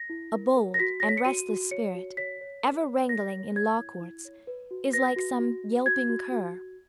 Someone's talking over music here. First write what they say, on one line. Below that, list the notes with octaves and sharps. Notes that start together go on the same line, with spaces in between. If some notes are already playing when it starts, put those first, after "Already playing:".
A bold and restless spirit, ever wrangling in law-courts, is like some yelping cur.
Already playing: A#6
E4
A#4
A#4
A#6
F#4 B6
C#5 A#6
B6
C#7
F#4 D#7
F#4
C#5 C#7
F#4
C#5 B6
C#5
A#4
C#5
A#4 A#6
C#5
C#5 G#6
E4
E4
C#5
B4
F#4
B4 A#6
F#4
F#4
F#4
F#4 G#6
F#4
F#4
F#4